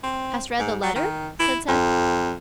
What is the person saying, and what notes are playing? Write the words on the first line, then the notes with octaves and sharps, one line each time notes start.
"Hast read the letter?" said Seth.
C4
G#2
F#3
D#3
E4
F2